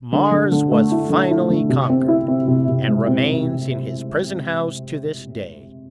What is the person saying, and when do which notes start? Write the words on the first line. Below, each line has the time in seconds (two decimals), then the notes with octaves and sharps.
Mars was finally conquered, and remains in his prison-house to this day.
0.13 D3
0.32 D3
0.52 D3
0.72 A3
0.91 E4
1.10 D3
1.31 E4
1.50 D3
1.69 C3
1.90 C4
2.08 E4
2.28 C4
2.48 C3
2.68 C3
2.88 G#3
3.07 C4